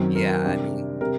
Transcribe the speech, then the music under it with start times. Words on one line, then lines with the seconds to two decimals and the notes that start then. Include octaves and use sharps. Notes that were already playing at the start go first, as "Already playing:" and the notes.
Yeah, I mean
Already playing: F#2 D#3 F#3 C4
0.15 A#4
0.30 A#4
0.44 C3 G3 D4
1.01 C3 G3 A#4